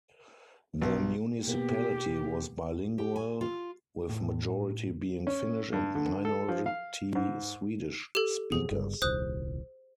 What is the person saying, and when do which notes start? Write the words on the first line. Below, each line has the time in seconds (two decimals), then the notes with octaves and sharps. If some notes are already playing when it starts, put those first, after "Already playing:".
The municipality was bilingual, with majority being Finnish and minority Swedish speakers.
0.81 B1
1.47 B2 A#3 B3 G4
2.98 G4
3.16 G#5
3.41 F4
4.09 A2
5.27 C#4
5.73 G2
5.95 D3
6.25 A4
6.48 F3
6.66 F5
7.15 G#2
8.15 G4 A4
8.52 F2 B2 G#4
8.71 G1 G2
9.02 D#1 C2 C5 D#6 F#6